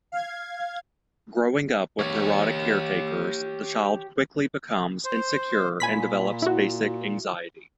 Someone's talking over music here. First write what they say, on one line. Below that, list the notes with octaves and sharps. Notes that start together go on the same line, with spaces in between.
Growing up with neurotic caretakers, the child quickly becomes insecure and develops basic anxiety.
F5 G#6
G4 C#5
C5
A#2 G#5 B5 B6
E4 F#4